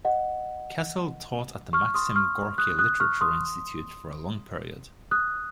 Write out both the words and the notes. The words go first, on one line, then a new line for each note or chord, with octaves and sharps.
Kassil taught at the Maxim Gorky Literature Institute for a long period.
D#5 F#5
C#6 F6
C6 D#6
C#6 F6
D#6 F#6
D#6 F#6
C#6 F6
C6 D#6
D#6 F#6